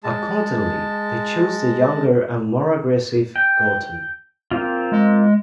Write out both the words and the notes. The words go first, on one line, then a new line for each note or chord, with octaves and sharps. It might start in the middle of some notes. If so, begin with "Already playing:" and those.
Accordingly, they chose the younger and more aggressive Gorton.
G#3 A5
G5
A#3 C4 F4
G#3